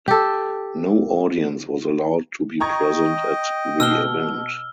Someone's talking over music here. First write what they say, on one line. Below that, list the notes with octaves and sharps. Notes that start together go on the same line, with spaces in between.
No audience was allowed to be present at the event.
G4 A4
D#5 G5 A#5 C#6 G#6
B2 E6 F6 G7